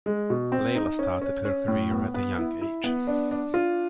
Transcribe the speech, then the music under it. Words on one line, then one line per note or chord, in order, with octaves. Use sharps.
Laila started her career at a young age.
G#3
B2
C4
D#4
C#4
C#4
C#4
A2
B3
B3
E4
E4
B3
D4
D4
F4